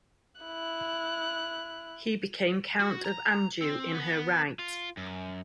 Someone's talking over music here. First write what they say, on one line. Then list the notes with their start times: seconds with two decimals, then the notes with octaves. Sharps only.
He became Count of Anjou in her right.
0.42 E4 F#6
2.80 F#4
3.05 A#5
3.62 C4
3.94 B3
4.59 F4
4.97 F#2